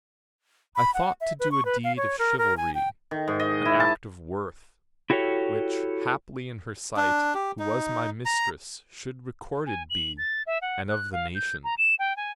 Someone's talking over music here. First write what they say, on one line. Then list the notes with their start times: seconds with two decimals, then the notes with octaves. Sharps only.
I thought to do a deed of chivalry, An act of worth, which haply in her sight Who was my mistress should recorded be And of the nations.
0.76 B5
0.94 F#5
1.21 E5
1.40 B4
1.52 C#6
1.65 B4
1.84 F5
1.97 C#5
2.19 A#4
2.38 A#4
2.57 G#5
2.75 G5
3.11 D#3
3.28 G#2
3.40 D#5
3.65 E4
3.80 A5
5.10 E4 F#4 G4 A4 C#5
6.97 D4
7.34 G4
7.59 D#4
8.25 A#5
9.67 G#5
9.90 F#7
10.18 A6
10.47 E5
10.61 F#5
10.88 F#6
11.12 F5
11.35 G6
11.64 A#5
11.78 E7
11.99 G5
12.17 G#5